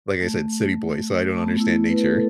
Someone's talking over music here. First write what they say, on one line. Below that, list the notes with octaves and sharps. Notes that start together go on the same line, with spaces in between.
Like I said, city boy, so I don't understand nature.
A3
A3
B3
A3
E4
B4
A4